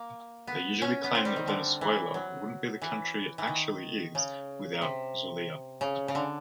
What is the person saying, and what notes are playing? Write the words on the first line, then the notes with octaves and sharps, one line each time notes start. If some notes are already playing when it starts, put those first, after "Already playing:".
They usually claim that Venezuela wouldn't be the country it actually is without Zulia.
Already playing: A#3
B3
C#4
B3
C4
G3
D#3
D3
E3
F#3
E3
E3
D#3
C#3
C3
C#3
C#3
D3